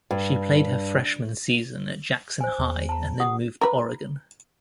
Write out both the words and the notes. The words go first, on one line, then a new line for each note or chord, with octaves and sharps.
She played her freshman season at Jackson High and then moved to Oregon.
G2
C5 G#5
E2
A5 A#5
G4 F#5 D#6
A#4 B4